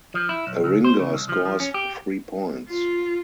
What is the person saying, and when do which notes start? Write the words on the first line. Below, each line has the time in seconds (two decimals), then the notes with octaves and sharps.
A ringer scores three points.
0.14 F3
0.29 E4
0.47 B1
0.64 C#2
0.84 C5
0.99 C#3
1.14 C2
1.29 F3
1.45 F3
1.60 C#4
1.74 G4
2.69 F4